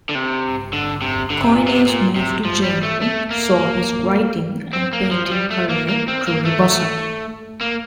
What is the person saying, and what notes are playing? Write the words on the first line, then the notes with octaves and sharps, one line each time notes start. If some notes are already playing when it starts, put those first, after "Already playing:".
Coyne's move to Germany saw his writing and painting career truly blossom.
D3
C3
D3
C3
D3
C3
A#2
C3
A#2
C3
F3
G3
A3
A3
A#3
C4
A#3
F3
F3
G3
A3
A#3
A#3
C4
A#3
A3
A#3